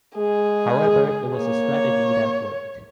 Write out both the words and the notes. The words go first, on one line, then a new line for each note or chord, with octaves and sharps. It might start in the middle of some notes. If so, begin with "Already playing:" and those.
However, it was a strategy that worked.
G#3 G#4
A#3 C#5